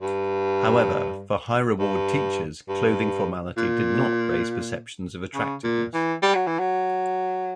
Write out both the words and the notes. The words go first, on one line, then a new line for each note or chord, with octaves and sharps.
However, for high-reward teachers, clothing formality did not raise perceptions of attractiveness.
G2
G2
G2
A#2
C#3
A#2
E3
G3
F#3
E3
F#3